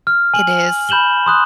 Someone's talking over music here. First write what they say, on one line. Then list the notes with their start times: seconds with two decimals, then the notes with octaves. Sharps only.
It is.
0.07 F6
0.34 G#5 F#7
0.89 B5 G6 E7 F#7 G7
1.26 C6 D#6 F#6